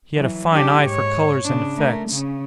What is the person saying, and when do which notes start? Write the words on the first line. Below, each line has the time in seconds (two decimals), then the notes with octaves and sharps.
He had a fine eye for colors and effects.
0.16 E3 F#3
0.52 D4 G4
0.83 G#2 C#5
1.44 C#3 D4
1.77 A3 A#4
2.09 C#3 C#4